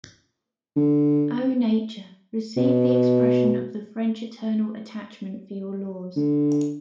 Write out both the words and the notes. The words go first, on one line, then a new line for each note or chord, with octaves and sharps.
O Nature, receive the expression of the French eternal attachment for your laws.
D3
B2
D3